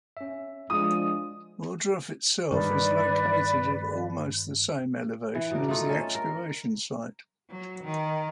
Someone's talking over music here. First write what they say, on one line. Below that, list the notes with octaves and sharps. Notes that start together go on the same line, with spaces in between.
Ohrdruf itself is located at almost the same elevation as the excavation site.
C#4 E5
F3 G#3 D4 F4 D#6
G2 D#3 B4 D5
E3
B2 D4 A#4
A3 D#4 F4
C#4 A4
A#4
F#3
D#3